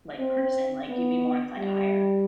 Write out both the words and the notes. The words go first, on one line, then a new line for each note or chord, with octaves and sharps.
like, person, like, you'd be more inclined to hire.
C4
B3
G3